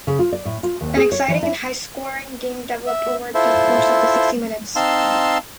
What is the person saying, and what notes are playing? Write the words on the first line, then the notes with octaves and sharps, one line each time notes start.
An exciting and high-scoring game developed over the course of the sixty minutes.
C#3
F4
D5
A2
F4
D#2
G#4
C#5
E3
E4
E5
E4 F4 A4 C5 E5
C4 D#4 F5 A5 C6 E6